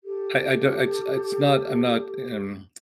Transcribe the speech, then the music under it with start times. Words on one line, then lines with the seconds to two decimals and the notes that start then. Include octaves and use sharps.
I I don't it's it's not I'm not, eh, mm,
0.04 G4 A4